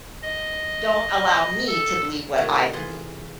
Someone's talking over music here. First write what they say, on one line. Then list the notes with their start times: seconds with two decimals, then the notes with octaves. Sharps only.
don't allow me to believe what I believe,
0.23 D#5
1.67 A4
2.38 A2 C3 D#3 F#4 C#5 D5
2.73 E3 F4 G#4 F#5 C6